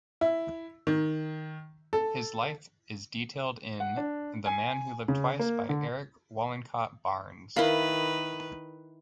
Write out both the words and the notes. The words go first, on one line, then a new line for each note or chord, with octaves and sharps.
His life is detailed in "The Man Who Lived Twice" by Eric Wollencott Barnes.
E4
D#3
A4
F#5
D4
G#5
C#3
A#3
D3
D#3 E4 A#4 B4 F5 B5